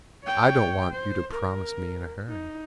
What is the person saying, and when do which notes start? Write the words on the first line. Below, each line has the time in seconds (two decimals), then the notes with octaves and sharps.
"I don't want you to promise me in a hurry."
0.23 C#5 G5
0.91 C5
1.32 A#4
2.29 D#4